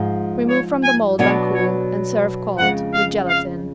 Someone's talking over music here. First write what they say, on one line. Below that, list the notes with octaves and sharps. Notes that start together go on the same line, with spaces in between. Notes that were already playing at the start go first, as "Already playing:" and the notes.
Remove from the mold when cool and serve cold, with gelatine.
Already playing: G#2 F3 G#3
C#5
G#5
B2 F#3 B3 D4 C#5
C#5
F2 C#3 G#3 F#5
F5
F5